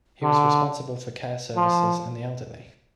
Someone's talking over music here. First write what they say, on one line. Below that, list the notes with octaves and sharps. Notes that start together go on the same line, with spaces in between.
He was responsible for care services and the elderly.
D3
F3